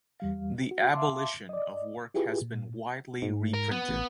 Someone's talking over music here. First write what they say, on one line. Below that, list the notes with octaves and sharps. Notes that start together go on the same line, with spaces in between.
"The Abolition of Work" has been widely reprinted.
E2 G3 F5
F#4
E5 F5 A5 C6 D6
D5 D#5
E4 F4 G4 G#4 B4
A#2
G#2
A#4
B3
A1